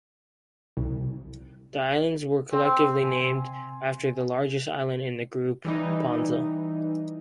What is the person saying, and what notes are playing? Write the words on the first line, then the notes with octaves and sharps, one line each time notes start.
The islands were collectively named after the largest island in the group, Ponza.
C2
C4
C3 G#5 C6
E3 G3 D#4